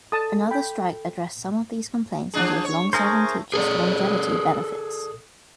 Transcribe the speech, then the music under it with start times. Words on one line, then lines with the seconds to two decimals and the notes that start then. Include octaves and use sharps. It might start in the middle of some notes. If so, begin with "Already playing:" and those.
Another strike addressed some of these complaints and gave long-serving teachers longevity benefits.
0.12 A4 A5 D#6
0.51 G5 B5
2.34 F3 D4 G#4
2.65 C#5
2.93 A3 G#4 A#4 C5
3.54 G#4 A4 D5